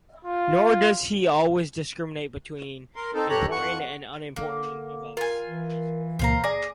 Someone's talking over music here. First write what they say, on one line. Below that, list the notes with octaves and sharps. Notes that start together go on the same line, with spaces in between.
Nor does he always discriminate between important and unimportant events.
F4
A#4 C6
C4 D#4 A4
G2 G4 A4 C#5 A#5 F#6
F2 F#5 C#6 F#6
D3 A#3
F4 A#4 G#5
E3
C#2 A#2 A#3 C5 F5 A#5
G#4 D5 D6 A#6